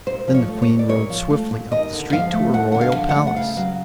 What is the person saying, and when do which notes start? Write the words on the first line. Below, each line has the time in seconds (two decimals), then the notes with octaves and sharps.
Then the Queen rode swiftly up the street to her royal palace.
0.06 A#2 C5
0.27 F3
0.35 C#5
0.48 A3
0.62 C#5
0.69 A#2
0.79 D5
0.89 A#2 C#5
1.10 F3
1.30 A3
1.51 A#2
1.72 D#2 D#5
1.92 D3
2.13 F3 F5
2.33 A3
2.53 D#2 F#5
2.72 D3 F#5
2.81 F5
2.95 F3
3.09 F#5
3.16 A3
3.27 F#5
3.36 C#3 F5
3.57 F#3 F5